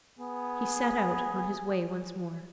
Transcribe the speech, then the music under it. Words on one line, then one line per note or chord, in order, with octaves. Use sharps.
He set out on his way once more.
B3 G#4